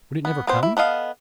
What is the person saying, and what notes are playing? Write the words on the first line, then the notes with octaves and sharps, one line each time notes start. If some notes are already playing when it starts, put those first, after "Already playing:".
Would it never come!
B3
B3 C4 C5
E4
B3 A4 D#5 F5